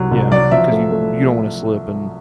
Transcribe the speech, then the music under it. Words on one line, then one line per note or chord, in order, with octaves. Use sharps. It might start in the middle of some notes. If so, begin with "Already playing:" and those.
Yeah, because you you don't wanna slip and
Already playing: C2 F#3 G3
C2
F#3 D5
F3 E5
A3
A3